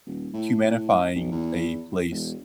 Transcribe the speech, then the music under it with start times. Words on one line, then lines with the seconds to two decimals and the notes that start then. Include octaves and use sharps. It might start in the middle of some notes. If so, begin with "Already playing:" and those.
humanifying a place
0.06 D#1
0.33 A2
0.64 A2
1.15 B1
1.31 E2
2.11 E1